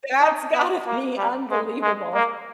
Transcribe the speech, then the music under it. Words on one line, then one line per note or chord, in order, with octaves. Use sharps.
That's gotta be unbelievable.
D#4
B3
A#3
G3
G#3
G#3
A#3